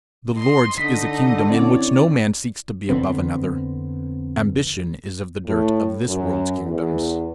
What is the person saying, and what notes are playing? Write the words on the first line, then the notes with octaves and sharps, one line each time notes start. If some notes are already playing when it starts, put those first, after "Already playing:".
The Lord's is a kingdom in which no man seeks to be above another: ambition is of the dirt of this world's kingdoms.
D#5 C6
D3 D#4 D#5 B6
C4 C#4 E4 C#5 D5
F2 D3 B3 C4
A2
F#2
E2